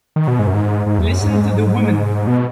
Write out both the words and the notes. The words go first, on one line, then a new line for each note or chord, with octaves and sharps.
Listen to the woman!
D#3
B2
G#2
F#2
G#2
G#2
E2
F#2
G#2
B2